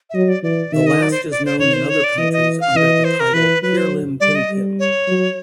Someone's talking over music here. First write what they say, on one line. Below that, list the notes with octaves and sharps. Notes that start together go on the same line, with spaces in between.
The last is known in other countries under the title "Pirlimpimpim".
E5
F#3 D#5
D5
E3 D5
D#3 E5
D#5
D5
C5
D5
C5
D#3 C#5
C5
C#5
D5
E3 D#5
D#5
F5
E3 D#5
C5
A#4
E3 B4
F#3 B4
C5
G3 D5
D#5
G3
C#5
F#3